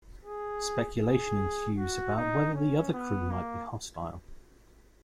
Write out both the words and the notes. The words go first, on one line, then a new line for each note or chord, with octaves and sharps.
Speculation ensues about whether the other crew might be hostile.
G#4
G#4
F#4
D#4
C#4
B3
A#3